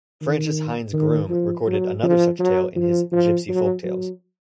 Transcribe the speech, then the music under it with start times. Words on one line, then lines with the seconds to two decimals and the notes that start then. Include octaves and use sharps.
Francis Hindes Groome recorded another such tale in his "Gypsy Folk Tales".
0.21 D#3
0.93 D#3
1.30 F3
1.67 F#3
2.03 F3
2.39 F#3
2.76 F3
3.12 F3
3.49 F#3
3.85 F#3